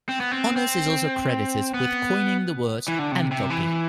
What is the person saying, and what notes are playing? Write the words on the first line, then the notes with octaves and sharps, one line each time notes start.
Onnes is also credited with coining the word "enthalpy".
C4
B3
C4
C4
B3
E3
D3
C3
C3
E3